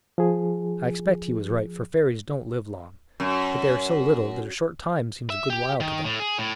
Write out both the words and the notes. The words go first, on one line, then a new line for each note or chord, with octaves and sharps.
I expect he was right, for fairies don't live long, but they are so little that a short time seems a good while to them.
F3 G#4
F#2
E5
G4
D#3
A2
G#4
A2